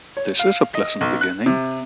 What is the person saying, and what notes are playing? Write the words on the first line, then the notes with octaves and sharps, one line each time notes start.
This is a pleasant beginning.
C#5
F5
D#5
B1
F#6
C3